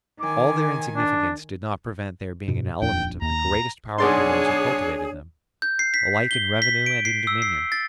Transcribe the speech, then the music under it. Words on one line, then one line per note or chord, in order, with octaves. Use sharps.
All their insignificance did not prevent their being an element of the greatest power to those who cultivated them, alike in revenue and in dominion.
D#3 G#5 D6
D4
G2 B2
D#1 F2 D4 G5
D#2 A#5
B1 D4 G#4 C#5 D5 C6
G6
C7
B6
G7
B6
D7
C7
E6
C7
A6